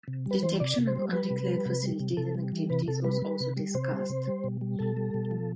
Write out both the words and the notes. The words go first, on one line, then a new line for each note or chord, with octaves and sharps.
Detection of undeclared facilities and activities was also discussed.
C3
G3 B4
E3 C5
C3 D5
C3
C5
G3
G3 B4
C3
G3
C3
G3
C3
C3 A4
G3
E3
C3 B4
C3 A4
G3 B4
G3
C3
G3
C3 C5
G3
C3
G3
B2
G3
B2 A4
G3
B2
F3